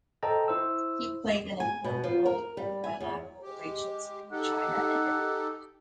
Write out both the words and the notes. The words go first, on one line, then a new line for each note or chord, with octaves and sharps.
He played an important role in the bilateral relations between China and Italy.
A4 C5 D#5 G5 A5 A#5
E4 C5 E6
G#5
B2
F3
A#4
G3
G#5
E2
G#3 G4
D#4 G4 A4 F#5